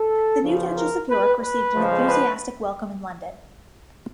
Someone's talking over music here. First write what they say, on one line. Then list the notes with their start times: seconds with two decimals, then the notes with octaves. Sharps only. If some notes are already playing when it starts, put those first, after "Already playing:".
The new Duchess of York received an enthusiastic welcome in London.
Already playing: A4
0.42 E2 C#3 F3
0.76 A#4
1.08 B4
1.41 B4
1.74 F2 C#3 F3 G#3
2.07 B4